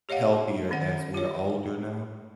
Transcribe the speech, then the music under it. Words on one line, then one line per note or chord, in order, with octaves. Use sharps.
healthier as we're older now,
G4 C#5 D#5 F5 F#5
D#3 C#4 F#5
F4 C#5